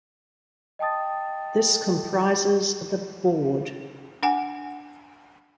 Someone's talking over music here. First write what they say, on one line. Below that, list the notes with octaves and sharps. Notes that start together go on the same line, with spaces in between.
This comprises the "board".
D#5 G5 A5 D#6 A6
D4 F#5 G#5